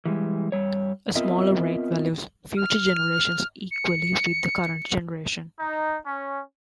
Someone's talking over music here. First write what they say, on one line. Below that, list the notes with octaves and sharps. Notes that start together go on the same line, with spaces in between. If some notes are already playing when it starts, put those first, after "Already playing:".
A smaller rate values future generations equally with the current generation.
E3 G3 G#3
G2 C#3 G3 C#5
B3 C4 F4 A#4 D#5 E5
F6
C#7
D#4
C#4